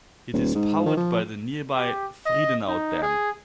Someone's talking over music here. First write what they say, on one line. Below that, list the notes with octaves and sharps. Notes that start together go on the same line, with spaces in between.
It is powered by the nearby Friedenau Dam.
D#1
G#2
D#3
F3
G4
D#5
D#4
G#4